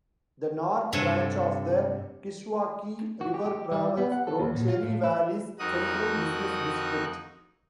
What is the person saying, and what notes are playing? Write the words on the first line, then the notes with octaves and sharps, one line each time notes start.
The north branch of the Kishwaukee River travels through Cherry Valley's central business district.
G2 C3 F#3 A4 G#5
F#4
G4
G4
G3
B3
F#5
A4
D#2
A#2
F4
A2
E4
F2 D#4 F#4 A#4 D#6 F#6